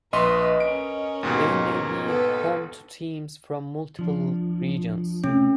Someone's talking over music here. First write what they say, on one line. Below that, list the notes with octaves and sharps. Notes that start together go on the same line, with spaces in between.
They may be home to teams from multiple regions.
A#1 B4 D#5 C6 C#6
C#4 A#4 D7
D#2 G#2 B2
B3 A4 B4
F3 D4
C3 A3 C#4